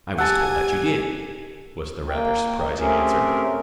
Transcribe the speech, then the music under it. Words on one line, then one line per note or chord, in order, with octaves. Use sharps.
"I was told that you did," was the rather surprising answer.
G4 F#5 G#5 A5 E6 G#6
A#3 G5
A3 C4 C#4 G4 G#4 A#4